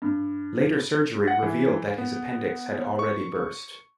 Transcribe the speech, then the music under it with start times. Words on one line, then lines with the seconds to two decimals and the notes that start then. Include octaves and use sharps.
Later surgery revealed that his appendix had already burst.
0.02 G2
1.28 F#5
1.43 E3
1.98 B3
2.99 C#6